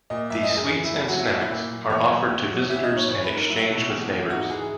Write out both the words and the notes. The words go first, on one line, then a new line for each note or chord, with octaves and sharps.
These sweets and snacks are offered to visitors and exchanged with neighbors.
A#2 D#5
F#2 E5
D#5
F#2
G#4
E3
E4
F#2
E4
F#3 F#4
E4
F#3 F#4
E4
A#2
A#2
E2 C#5
F#3
E2
F#3
E3 E5
D#5
G#2
C#5
E3 C#5
B4
G#2
A#4
F#3 E4
B2 E4
E2
E2
G#2 F#4
E3 G#4